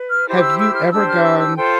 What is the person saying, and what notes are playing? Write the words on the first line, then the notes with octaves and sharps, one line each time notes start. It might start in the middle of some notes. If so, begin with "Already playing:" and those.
Have you ever gone
Already playing: B4
F6
E4 G4 C5
D6
E6
E6
F6
F6
D4 G4 C5 E6
F6
E6
E6
F4 A4 C5 G5